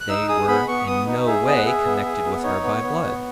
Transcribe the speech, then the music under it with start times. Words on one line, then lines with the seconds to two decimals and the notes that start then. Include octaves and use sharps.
They were in no way connected with her by blood.
0.01 F#6
0.09 D#4 E6
0.29 G#4 D#6
0.48 B3 B5
0.68 B3 C#6
0.87 B3 D#6
1.07 D#4
1.26 G#4 E5
1.46 B3 D#5
1.57 F#5
1.65 G#4 E5
1.85 B3
2.05 G#4
2.25 B3
2.44 D#4 C#5
2.64 B3
2.83 B3
3.04 B3